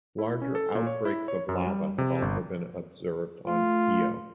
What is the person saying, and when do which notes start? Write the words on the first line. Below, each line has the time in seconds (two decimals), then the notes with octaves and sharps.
Larger outbreaks of lava have also been observed on Io.
0.19 E4
0.42 C#4
0.55 A4
0.75 A#2
0.87 C#5
1.05 E4
1.28 C#5
1.49 F#2
1.66 G3
1.98 C3
2.22 G1
3.47 A3 F4